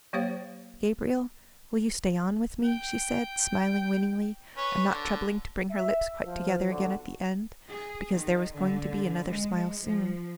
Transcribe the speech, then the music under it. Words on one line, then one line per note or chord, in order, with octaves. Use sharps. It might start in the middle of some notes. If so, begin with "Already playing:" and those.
"Gabriel, will you stay on with me?" she said, smiling winningly, and not troubling to bring her lips quite together again at the end, because there was going to be another smile soon.
F#3 A#3 G4 C5 C#5 F5
G5
C#4 B4 C#5
D3
E5
F3
B1 D3 F#4
G#4
D#3
D3
G#3
F3